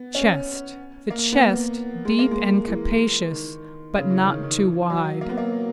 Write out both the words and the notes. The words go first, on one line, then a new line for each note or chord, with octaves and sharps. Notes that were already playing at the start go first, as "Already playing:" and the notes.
CHEST--The chest, deep and capacious, but not too wide.
Already playing: B3
C#4
A#3
B3
A#3
G#3
A#3
G#3
E3
D#3
C#3
E3
D#3
D#3
E3
F#3
A#3
B3
A#3